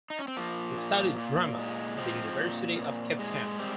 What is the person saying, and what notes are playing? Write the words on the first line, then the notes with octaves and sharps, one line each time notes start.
He studied drama at the University of Cape Town.
D#4
C#4
C4
F3 A#3
A#2
A#2
G#3
F3 C4
A#2
A#2
G#3
G3 C4